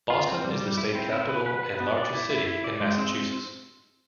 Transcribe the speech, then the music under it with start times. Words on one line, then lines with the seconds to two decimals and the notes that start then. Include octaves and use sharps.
Boston is the state capital and largest city in Massachusetts.
0.10 F4
0.27 C4
0.44 G3
0.61 G3
0.77 E4
0.95 C4
1.13 E4
1.29 B4
1.46 B4
1.63 B4
1.80 B3
1.97 D5
2.14 E4
2.30 E4
2.47 E4
2.64 D5
2.81 G#3
2.98 C4